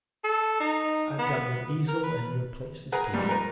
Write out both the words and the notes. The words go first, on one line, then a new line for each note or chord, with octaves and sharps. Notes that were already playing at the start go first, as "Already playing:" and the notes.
I've got your easel, and your place is taken.'
A4
D#4
B3
A#4
B4
G#4 A#4 B4 F#5
F2 G#2 G3
A#4 B4